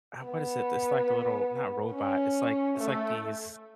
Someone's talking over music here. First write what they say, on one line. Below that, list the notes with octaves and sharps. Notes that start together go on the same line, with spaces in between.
uh, what is it? It's like the little not robot, it's, like it's, like, these,
B3
C#4
A3